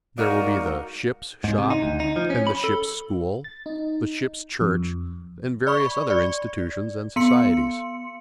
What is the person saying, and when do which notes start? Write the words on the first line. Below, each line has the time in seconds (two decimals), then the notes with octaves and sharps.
There will be the "Ship's Shop" and the "Ship's School," the "Ship's Church" and various other institutions and societies.
0.18 G#3 D#4 F#4 A#4 D5 F5
1.44 G#2
1.58 C3
1.70 D#4
1.82 D2
2.00 D#4
2.16 F3
2.30 C#4
2.47 B5
2.64 A4
3.44 A6
3.66 D#4
4.61 F2
5.67 D5 B5 C#6
6.10 D5
7.16 B3 C6 C#7